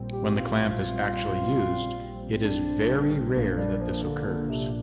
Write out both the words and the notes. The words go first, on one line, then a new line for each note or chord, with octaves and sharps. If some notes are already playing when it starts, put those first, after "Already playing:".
When the clamp is actually used, it is very rare that this occurs.
Already playing: A#1 A#2 G3 C4
G4
F4
D4
A#1 A#2 A#3 D4
G3
F3
D3
D3
C3